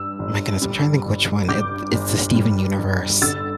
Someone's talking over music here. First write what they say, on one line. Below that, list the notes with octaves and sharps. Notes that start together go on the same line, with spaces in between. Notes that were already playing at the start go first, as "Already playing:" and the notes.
My goodness, I'm trying to think which one it It's the Steven Universe
Already playing: G2 E6
G1
G3
G1
G2 D6 G6
G1
G3
G1
D3 E6 A6